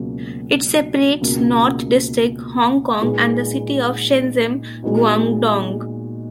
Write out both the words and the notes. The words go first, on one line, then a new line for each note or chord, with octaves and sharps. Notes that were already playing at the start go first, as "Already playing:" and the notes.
It separates North District, Hong Kong and the city of Shenzhen, Guangdong.
Already playing: C#2 B2 F#3 A#3
C#2 B2 A#3
A#2 G#3 D#4 G#4 B4
A#2 G#3 B3 D#4 F#4